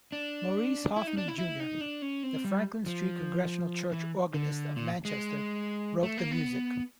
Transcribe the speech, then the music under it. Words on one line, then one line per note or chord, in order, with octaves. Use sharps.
Maurice Hoffman, Junior the Franklin Street Congregational Church organist of Manchester, wrote the music.
D4
E4
D#4
D4
E4
E4
D#4
D4
C#4
C4
G3
F3
E3
D3
A#2
G#3
A3
A#3
B3